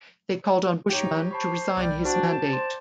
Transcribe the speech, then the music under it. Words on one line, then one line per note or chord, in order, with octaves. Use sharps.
They called on Buschmann to resign his mandate.
D#4 G4 C#5
C5 A5 B5 C#6
B1 G3 D5 G5
D4 F#4 C5
A5
C5 C6